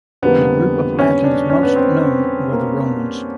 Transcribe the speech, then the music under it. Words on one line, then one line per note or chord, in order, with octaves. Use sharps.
The group of Latins most known were the Romans.
F2 D3 G3 A#3 B3
C#4
D4
C#4
B3
C4
A#3